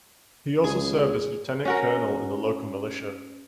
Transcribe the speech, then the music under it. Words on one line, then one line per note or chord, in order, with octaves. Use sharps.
He also served as lieutenant-colonel in the local militia.
C#2 G#4
C#4 F#4 A#4